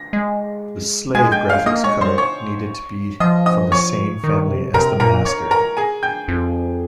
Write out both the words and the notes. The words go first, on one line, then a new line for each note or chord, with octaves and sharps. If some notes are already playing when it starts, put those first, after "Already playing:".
The "slave" graphics card needed to be from the same family as the "master".
Already playing: A#6
G#3
G#3 G#5 G#6
G5 G6
F5 F6
A#3 D#5 D#6
G#3 C#5 C#6
G3 C5 C6
C#5 C#6
F3 D#5 D#6
D#5 D#6
C#5 C#6
D#3
C3
C3 A#4 A#5
A#2 A#4 A#5
C#5 C#6
A#4 A#5
G#4 G#5
G5 G6
F2